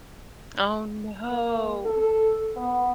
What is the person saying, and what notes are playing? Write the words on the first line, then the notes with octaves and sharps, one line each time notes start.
Oh, no.
A#3
A4
B3